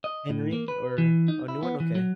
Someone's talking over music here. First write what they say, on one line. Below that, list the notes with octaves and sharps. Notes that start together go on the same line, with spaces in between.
Henry or a new one, okay.
D#5
A2
A#3
B4
E3
D#4
E4
B3
E3
F#3